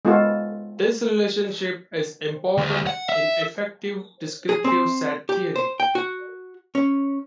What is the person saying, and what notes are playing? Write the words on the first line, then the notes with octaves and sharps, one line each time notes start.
This relationship is important in effective descriptive set theory.
G#3 B3 F4 F#4 A4
D2
F#5
E5
G#4
C4
G4
C5
G5
F#4
C#4